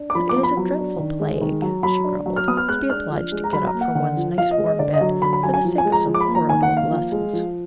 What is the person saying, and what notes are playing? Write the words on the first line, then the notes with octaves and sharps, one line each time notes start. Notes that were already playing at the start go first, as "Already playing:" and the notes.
"But it is a dreadful plague," she grumbled, "to be obliged to get up from one's nice warm bed, for the sake of some horrid old lessons!"
Already playing: D4
D6
F3 B5
D6
B3
B5
F#3
D4
D#3
G#3
D#3
F#3
F#3 B5
D4
F#3
F6
B3 D#6
F6
G#3 F#6
D4 F6
F3
G#3
A#5
F#3 B5
A#5
A#3
F#5
D3 F#5
F3
F3 F5
D#5
G#3
D#5
D3 D5
D#5
F#3
D3 B5
B5
F#3 G#5
G#5
F3
G#5
G#3
A#5
F3
D6
B5
A#3
A#5
D#3 G#5
F#5
A#3
F5
F3
G#3
F3